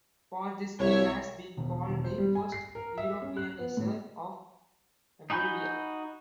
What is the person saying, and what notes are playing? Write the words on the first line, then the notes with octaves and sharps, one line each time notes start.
For this he has been called the first Europeaniser of Iberia.
C2 C#5 E5
E1
E1
C5
G3
G#5
C7
A#4
E5
C#4
F#6
B3
A2
D#4 F#4 G#5 B5 G6